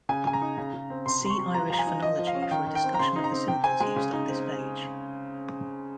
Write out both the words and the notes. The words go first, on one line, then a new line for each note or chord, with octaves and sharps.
See Irish phonology for a discussion of the symbols used on this page.
C#3 G#5
C#3 G#5
A#5
D#4
C#3
C#3
C4
C3 C6
C3 C6
C#6
G3
F3 A#5
F3 A#5
G#5
D#4
F3 D#5
F3
F5
C#4
F5
D#3 G5
D#3
G5
C4
A#5
C#3 C6
D#4
A#5
C4
C3 G5
C4 G#5
G#3 G#5
C#3
D#4
C4